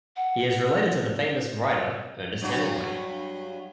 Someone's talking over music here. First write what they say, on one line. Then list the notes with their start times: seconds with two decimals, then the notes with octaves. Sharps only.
He is related to the famous writer Ernest Hemingway.
0.16 F#5
2.42 G2 F#3 F#4